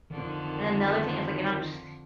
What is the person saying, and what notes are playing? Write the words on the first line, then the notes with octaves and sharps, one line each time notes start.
And another thing is, like and I'm s
F2 D3 D#3